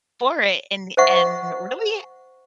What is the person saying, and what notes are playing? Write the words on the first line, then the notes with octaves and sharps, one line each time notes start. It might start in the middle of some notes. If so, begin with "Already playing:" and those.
for it and and really
C5 D#5 E5 F#5 C#6